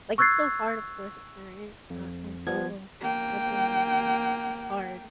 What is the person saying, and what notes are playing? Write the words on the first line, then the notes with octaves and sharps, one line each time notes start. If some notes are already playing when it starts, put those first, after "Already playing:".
like, it's still hard, of course, a parent, or an uncle, siblings, it's it's hard-
C#6 E6 F#6 G#6 A6 C7
F2
F3 B3 G#6
A#3 G5